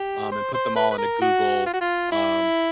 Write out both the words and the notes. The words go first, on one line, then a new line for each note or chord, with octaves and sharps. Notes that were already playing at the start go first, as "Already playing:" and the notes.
um, and put them all in a Google, um,
Already playing: G4
C5
C5
B4
B4
A#4
F#4
F4
F#4
F4
E4